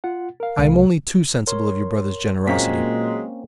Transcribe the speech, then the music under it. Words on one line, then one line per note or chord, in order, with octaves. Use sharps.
I am only too sensible of your brother's generosity.
F4 F#5
A#4 F5
C2 G#3
A#4 C#5 C6
A#2 F#3 G#3 A#3 C4 C#4 A#5 B6